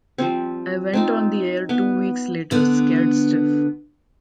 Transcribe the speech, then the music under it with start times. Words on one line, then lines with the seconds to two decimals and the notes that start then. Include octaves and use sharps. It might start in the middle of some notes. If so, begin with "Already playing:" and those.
I went on the air two weeks later, scared stiff.
0.18 F3 G3 C4
0.93 C4 D#4 F4
1.69 B3
2.51 D3 B3